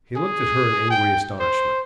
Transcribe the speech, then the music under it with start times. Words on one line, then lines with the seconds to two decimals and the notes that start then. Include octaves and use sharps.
He looked at her in angry astonishment.
0.16 G#4
0.90 G5
1.40 C5